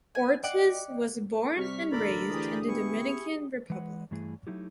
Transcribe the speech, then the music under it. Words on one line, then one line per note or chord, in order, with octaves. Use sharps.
Ortiz was born and raised in the Dominican Republic.
G#5
D5 D#5 F#5 G5 D6
C3 G3 C#6 F6 B6
A1 D2 A4 A#4 D5 B5
E3 G4 G#4 D#6
B3 E4 C#6
E3 G#3 B4 F#5
G2 E3 A3 E4 G#4
F#3 A3 D#4 E4 G4